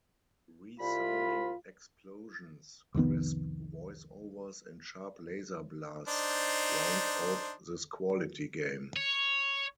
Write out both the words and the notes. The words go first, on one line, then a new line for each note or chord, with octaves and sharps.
Resounding explosions, crisp voice-overs, and sharp laser blasts round out this quality game.
C2 F4 B5
C2 F2 D#3 B3
D4 D#4 C5
C#5